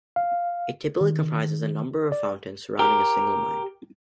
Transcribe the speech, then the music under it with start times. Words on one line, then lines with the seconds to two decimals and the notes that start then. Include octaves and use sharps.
It typically comprises a number of fountains surrounding a single mine.
0.16 F5
1.01 D#3
2.12 D5
2.79 G4 A#4